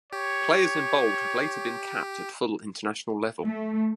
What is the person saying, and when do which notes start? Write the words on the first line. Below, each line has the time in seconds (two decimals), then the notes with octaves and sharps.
Players in bold have later been capped at full international level.
0.13 G4 C#5
3.44 A3